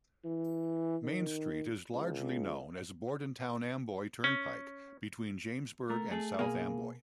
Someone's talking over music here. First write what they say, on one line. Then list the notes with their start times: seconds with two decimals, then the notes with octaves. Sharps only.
Main Street is largely known as Bordentown-Amboy Turnpike between Jamesburg and South Amboy.
0.24 E3
1.04 D#3
1.93 C#2
4.24 C#4
5.90 A3 A#4
6.11 A3 G#4 A4
6.39 B2 A#3 G#4